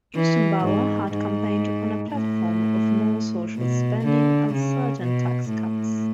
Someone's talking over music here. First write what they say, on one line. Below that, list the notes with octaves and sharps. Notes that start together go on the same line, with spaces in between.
Gusenbauer had campaigned on a platform of more social spending and certain tax cuts.
E3
G#2
G#2
A2
B2
D3
C#3
B2
A2